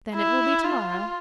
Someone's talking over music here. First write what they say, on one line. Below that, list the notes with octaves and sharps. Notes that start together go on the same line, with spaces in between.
"Then it will be to-morrow."
E4
F4